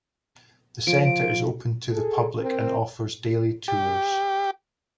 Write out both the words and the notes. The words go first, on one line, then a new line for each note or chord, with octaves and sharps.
The Center is open to the public and offers daily tours.
F3 D7
D7
G#4 A4
C4 A#4
G4